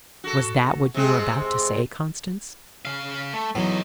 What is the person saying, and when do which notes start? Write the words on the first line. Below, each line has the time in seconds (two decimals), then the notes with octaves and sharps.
"Was that what you were about to say, Constance?"
0.24 F#4 A4
0.94 C3 G#3 C4
2.85 C#3 F5
3.34 A3
3.55 E2 A2 F#3 D#4